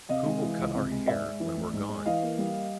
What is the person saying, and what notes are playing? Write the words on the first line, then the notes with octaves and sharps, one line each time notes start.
Who Will Cut Our Hair When We're Gone?
C3 D#5 F5
G#3
E3
C#2
C3
G#3
G#2 D5 E5
G#3
E3
A1
G#2
G#3
E3 D#5 F5
A#3
G3